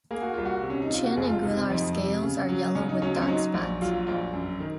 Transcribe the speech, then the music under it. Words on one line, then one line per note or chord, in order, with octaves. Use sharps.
Chin and gular scales are yellow with dark spots.
A#3 G#4
F#4
C2 F4
F#4
C3
C#4
D#4
C3 F4
F#4
F#1 G#4
F4
C3 D#4
C4
F2 D#4
C3
C#3
F#3
C#3 C#4
D#4
F#3 C#4
C4
C#4
F#3 D#4
A#1
F#3 F4
F4
A#1 F4
F#2
D#3